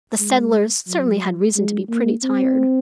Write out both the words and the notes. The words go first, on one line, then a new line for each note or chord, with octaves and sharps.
The settlers certainly had reason to be pretty tired.
G#3
F#3
G#3
A#3
C4